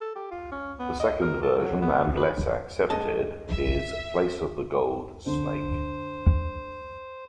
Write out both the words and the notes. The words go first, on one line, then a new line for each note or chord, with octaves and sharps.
The second version and less accepted is "place of the gold snake".
A4
G4
F4
C#4
B3
D#5
A#4
A4
F#3
B3
B4
G2 G#3 A3 D#5 A5
E5
D3 C5